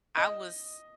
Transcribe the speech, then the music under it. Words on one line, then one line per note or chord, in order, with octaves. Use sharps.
I was,
D#5